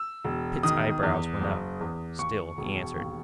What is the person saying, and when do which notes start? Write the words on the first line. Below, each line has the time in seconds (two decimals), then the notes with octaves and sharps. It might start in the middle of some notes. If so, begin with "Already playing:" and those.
Pitt's eyebrows went up; still he answered.
Already playing: E6
0.25 E1
0.63 D#3 D#6
1.03 E2
1.41 F#1
1.80 E2
2.19 D#2 C#6
2.58 E1
2.97 D#2